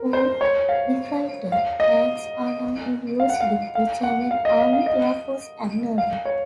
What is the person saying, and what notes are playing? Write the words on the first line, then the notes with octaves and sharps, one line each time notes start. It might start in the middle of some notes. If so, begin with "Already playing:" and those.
All "Gefreiter" ranks are now in use with the German Army, Airforce and Navy.
Already playing: A#4
C5
C#5
F5
F5
D#5
F5
F#5
F5
F5
F#5
F5
D#5
F5
F5
D#5
F5
C#5